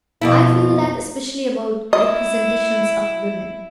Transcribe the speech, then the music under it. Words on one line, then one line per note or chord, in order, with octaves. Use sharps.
I feel that especially about representations of women.
F2 B2 E4
E4 D#5